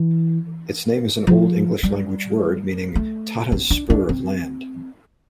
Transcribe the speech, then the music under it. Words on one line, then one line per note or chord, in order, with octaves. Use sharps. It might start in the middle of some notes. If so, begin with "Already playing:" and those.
Its name is an Old English language word meaning 'Tatta's spur of land'.
Already playing: E3
F3
G3
A3
C4
D4
D4
C4